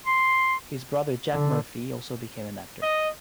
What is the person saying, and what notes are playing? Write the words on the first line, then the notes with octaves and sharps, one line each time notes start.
His brother Jack Murphy also became an actor.
C6
D3
D#5